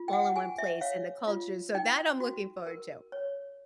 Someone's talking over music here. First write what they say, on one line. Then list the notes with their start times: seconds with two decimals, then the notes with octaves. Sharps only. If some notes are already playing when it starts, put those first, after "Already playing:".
all in one place and the culture, so, that I'm looking forward to.
Already playing: F4
0.08 G5
0.13 F#5
0.36 G#4 G#5
0.58 E5
0.81 C#5 F5
1.28 F4
1.74 D#4 G5
2.20 F#4
2.67 A#4
3.12 C#5